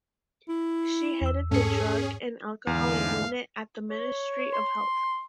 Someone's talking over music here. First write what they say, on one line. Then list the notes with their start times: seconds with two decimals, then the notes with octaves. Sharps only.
She headed the drug and alcohol unit at the Ministry of Health.
0.49 E4
1.22 E2 E6
1.51 G#2 C#4 G#4 A4 C#7
2.67 E2 G#2 D3 E3 F5
3.91 C#5
4.53 C6